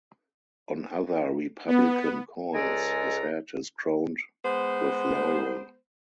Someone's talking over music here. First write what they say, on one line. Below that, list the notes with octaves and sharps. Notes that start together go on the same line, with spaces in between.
On other Republican coins, his head is crowned with laurel.
B3
C#2 G#3 A4 D5 G#5 A#5
G#3 B3 C5